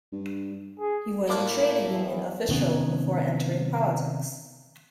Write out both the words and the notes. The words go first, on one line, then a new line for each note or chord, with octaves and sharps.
He was a trade union official before entering politics.
G2
G#4
A#3 D4 E4 F4 A4 A#4
E2
C3 D#3 B3 C#4